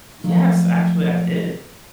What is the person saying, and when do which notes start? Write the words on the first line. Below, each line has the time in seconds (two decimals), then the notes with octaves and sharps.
Yes, actually, I did.
0.24 F3 F#3 A3 D#4